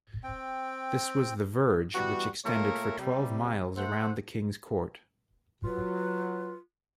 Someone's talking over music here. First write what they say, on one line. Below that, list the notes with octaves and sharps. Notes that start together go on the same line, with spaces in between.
This was the verge, which extended for twelve miles around the king's court.
C4 G5
E3 G3 B3 F#4
A#2 A3 A#3 A#4 C#5 E5
C3 G3
A3 C5 F#5
F#3 F4 B4